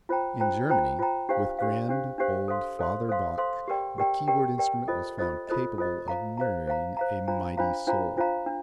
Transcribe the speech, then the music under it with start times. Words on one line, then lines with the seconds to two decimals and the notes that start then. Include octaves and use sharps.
In Germany, with grand old Father Bach, the keyboard instrument was found capable of mirroring a mighty soul.
0.09 F4 C5 G5 A#5
0.40 F4 C5 G5 A#5
0.69 F4 C5 G5 A#5
0.99 F4 C5 G5 A#5
1.29 D4 G4 C5 F5
1.59 D4 G4 C5 F5
1.89 D4 G4 C5 F5
2.18 D4 G4 C5 F5
2.48 A4 C5 F5 C6
2.79 A4 C5 F5 C6
3.09 A4 C5 F5 C6
3.38 A4 C5 F5 C6
3.68 G4 A#4 D5 G5
3.98 G4 A#4 D5 G5
4.28 G4 A#4 D5 G5
4.58 G4 A#4 D5 G5
4.88 F4 A4 C5 D#5
5.18 F4 A4 C5 D#5
5.48 F4 A4 C5 D#5
5.78 F4 A4 C5 D#5
6.08 C5 F5 A#5
6.37 C5 F5 A#5
6.67 C5 F5 A#5
6.97 C5 F5 A#5
7.28 D4 F4 C5 F5 A#5
7.57 D4 F4 C5 F5 A#5
7.87 D4 F4 C5 F5 A#5
8.17 D4 F4 C5 F5 A#5
8.46 D4